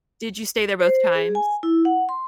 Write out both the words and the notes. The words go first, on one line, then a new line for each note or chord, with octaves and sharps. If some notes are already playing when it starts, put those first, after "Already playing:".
Did you stay there both times?
C5
G#4
G#5
E4
F#5
C6